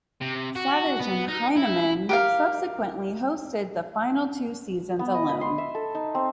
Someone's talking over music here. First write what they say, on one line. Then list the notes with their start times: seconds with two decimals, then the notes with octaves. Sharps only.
Savage and Hyneman subsequently hosted the final two seasons alone.
0.21 C3
0.55 F#4
0.99 B3
1.28 D#4
1.56 E4
2.09 G4 A#4 F5
4.99 B3
5.14 D#5
5.29 B4
5.41 C6
5.58 E5
5.75 A4
5.95 D#4
6.15 C4